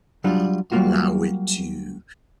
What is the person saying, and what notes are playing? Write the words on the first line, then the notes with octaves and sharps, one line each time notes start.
uh, allow it to,
F#3 G3 D4 F4
F#3 G3 A3 A#3 F4 F#4